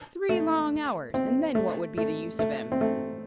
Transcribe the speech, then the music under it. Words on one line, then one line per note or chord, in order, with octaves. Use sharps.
Three long hours, and then what would be the use of him?
A3
C4
A3
A3
A3
C4
A3